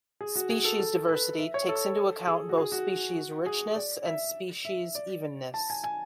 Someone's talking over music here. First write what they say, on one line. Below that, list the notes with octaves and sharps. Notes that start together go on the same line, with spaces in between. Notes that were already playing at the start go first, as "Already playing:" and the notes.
Species diversity takes into account both species richness and species evenness.
G#4
F#4
G#4
A4
A4
B4
E5
C#5
A4
G#4
F#4
G#4
F#4
G#4
D5
E5
E5
D5
A5
G#5
G#5